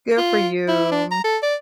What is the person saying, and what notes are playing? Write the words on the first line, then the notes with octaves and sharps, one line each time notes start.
Good for you.
F4
E4
D4
A#5
A4
D5